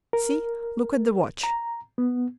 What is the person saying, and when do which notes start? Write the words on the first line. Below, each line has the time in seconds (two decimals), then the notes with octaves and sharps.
See, look at the watch.
0.13 A#4
1.43 A#5
1.98 B3